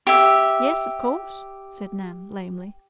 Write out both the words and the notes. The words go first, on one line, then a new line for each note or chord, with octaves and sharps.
"Yes, of course," said Nan lamely.
G4 E5